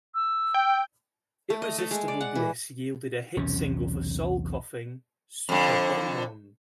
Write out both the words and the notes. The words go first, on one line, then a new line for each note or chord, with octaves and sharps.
"Irresistible Bliss" yielded a hit single for Soul Coughing, "Super Bon Bon".
E6
G5
A3
D#5
A3
G#3
D5
F#5
E3
B1 E2 C3 C#4
F2 D3